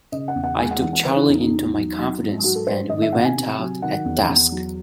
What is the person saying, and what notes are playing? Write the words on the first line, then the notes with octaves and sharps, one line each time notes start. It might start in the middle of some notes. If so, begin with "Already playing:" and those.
I took Charley into my confidence, and we went out at dusk.
C#3 D#5
F#5
E2
F#5
G#3 G#5
F#5
E3 F#5
F#5
C#3 C5
E4
E2 D#4
D#4
E2
F#3
F#3
G#2
F#3 F#4
A4
G#2 C5
D#3 D#5
E5
C3 F#5
G#5
C3
F#3
D#3 F#5
E2
E2
F#3